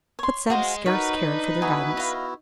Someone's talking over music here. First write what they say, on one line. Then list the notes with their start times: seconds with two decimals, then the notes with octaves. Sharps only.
But Zeb scarce cared for their guidance.
0.19 C#5 C6
0.50 F#4 G#4 C5 D#5 F5
0.86 D#4 F#4 A#4 B4 C#5
1.26 D4
1.62 B3 E4 F#4 G#5 A#5 D#6
1.97 D#5 F5